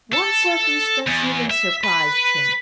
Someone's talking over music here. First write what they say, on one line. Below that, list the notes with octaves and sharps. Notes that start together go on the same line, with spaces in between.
One circumstance even surprised him....
A4
E2
E5
B4